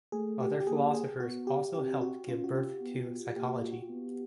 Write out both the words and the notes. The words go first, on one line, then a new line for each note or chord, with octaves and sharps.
Other philosophers also helped give birth to psychology.
A3 G#4
G4
G4
A#3 G#4
G#4
B3 F#4
G4
C4 G4
F#4
C#4 F4
F#4
G4
B3
A#3 G4
F#4
F4
F#4
B3